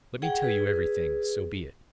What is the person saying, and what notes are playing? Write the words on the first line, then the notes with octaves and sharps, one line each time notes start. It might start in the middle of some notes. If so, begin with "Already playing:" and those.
Let me tell you everything, so be it.
G#4 F#5 G5
G#4 B4